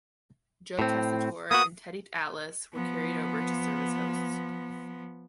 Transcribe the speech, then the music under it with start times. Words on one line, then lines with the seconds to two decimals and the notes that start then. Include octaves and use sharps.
Joe Tessitore and Teddy Atlas were carried over to serve as hosts.
0.79 A2 C4
1.51 A#3 B3 F#4 D#6
2.73 F3 B3